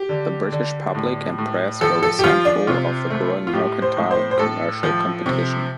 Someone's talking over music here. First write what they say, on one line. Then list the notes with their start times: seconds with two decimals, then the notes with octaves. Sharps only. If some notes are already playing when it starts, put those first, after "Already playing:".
The British public and press were resentful of the growing mercantile and commercial competition.
Already playing: G4
0.09 D3
0.52 D3
0.95 A2
1.38 A2
1.81 F3 A4
2.03 A4
2.19 G4
2.24 F3 F4
2.45 D4
2.67 C3 F4
3.10 A3
3.47 F4
3.53 A2 G4
3.82 C5
3.97 A2
4.11 C5
4.31 C5
4.39 A2 A4
4.83 F3
5.26 C3